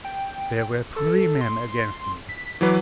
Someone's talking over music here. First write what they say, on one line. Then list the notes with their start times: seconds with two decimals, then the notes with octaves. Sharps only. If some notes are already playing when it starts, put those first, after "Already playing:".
There were three men against me.
0.05 G5
0.96 A4
1.41 C6
2.29 B6
2.61 E3 F#3 B4 D6